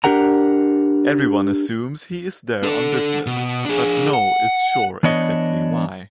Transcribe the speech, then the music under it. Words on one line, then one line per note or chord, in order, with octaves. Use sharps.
Everyone assumes he is there on business, but no is sure exactly why.
D4 G4 A#4 F#5 A#5
D4 A4
B2
D4 G#4
F#5
E3 B3 D4 C#5 D#5